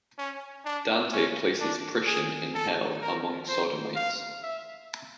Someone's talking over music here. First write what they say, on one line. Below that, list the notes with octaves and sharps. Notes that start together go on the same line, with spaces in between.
Dante places Priscian in Hell among sodomites.
C#4
D4
C#4
D4
G#4
A4
A#4
C5
F5
E5